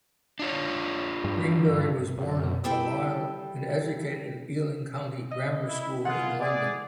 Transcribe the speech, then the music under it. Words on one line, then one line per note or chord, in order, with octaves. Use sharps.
Greenbury was born in Carlisle and educated at Ealing County Grammar School in London.
D4 F4 C#5
G2
F#2
G3 C4 E4 A4 G5
D#5
E4
F4 G#4 F#5 F#6
G#4 D5